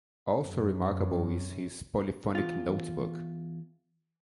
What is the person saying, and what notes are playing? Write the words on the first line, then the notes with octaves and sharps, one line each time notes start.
Also remarkable is his "Polyphonic Notebook".
F#2
E2 F4